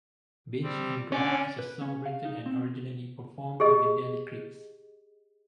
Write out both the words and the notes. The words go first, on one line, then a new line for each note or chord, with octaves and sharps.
Binge and Grab is a song written and originally performed by the Deli Creeps.
G3 C4
D3 C#4 D5 D6
B4
C#4
F5
D#4
C4
G4 G#4 D#5